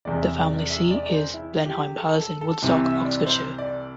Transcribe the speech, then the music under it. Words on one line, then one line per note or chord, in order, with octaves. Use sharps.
The family seat is Blenheim Palace in Woodstock, Oxfordshire.
E1 E2 C3 D5
E5
D5
D5
E5
D5
D5
C5
E4
G4
A4
A4
A4
C2 C3 E3 C4
E5
D5
C5
D5